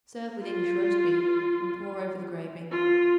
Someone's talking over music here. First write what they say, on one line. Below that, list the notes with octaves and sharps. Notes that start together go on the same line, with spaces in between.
Serve with English roast-beef, and pour over the gravy.
F4
F4